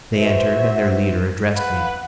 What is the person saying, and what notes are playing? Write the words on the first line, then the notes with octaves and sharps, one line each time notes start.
They entered, and their leader addressed me.
F#4 B4 C5 E5
B4 F5 F#5